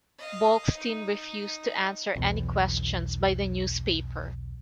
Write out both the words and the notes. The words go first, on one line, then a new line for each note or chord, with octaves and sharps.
Bolkestein refused to answer any questions by the newspaper.
D#5 F5
D#4
B1 E2